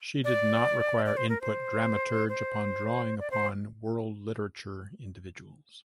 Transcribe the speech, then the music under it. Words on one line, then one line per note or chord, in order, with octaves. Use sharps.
She did not require input dramaturge upon drawing upon world literature individuals.
D5
D5
C5
A#4
C5
C5
D5
C5